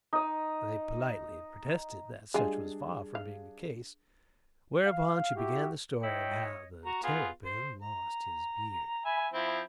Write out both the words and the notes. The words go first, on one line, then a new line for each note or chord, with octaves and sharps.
They politely protested that such was far from being the case, whereupon she began the story of how the Terrapin lost his beard.
D#4 D#5
G3 G#3 D4 F4 G#4 G#5
F5
F5
E4 F#4 G4
E4 C#5 D#5 G5
F#4 A#5
B3 F4 G#4
C5
A#5
E5 G#5 B5
F3 C4 E4